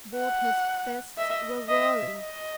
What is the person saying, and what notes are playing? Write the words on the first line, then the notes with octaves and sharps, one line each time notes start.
Both his fists were whirling.
F#5
D#5 E5
D#5 E5
D#5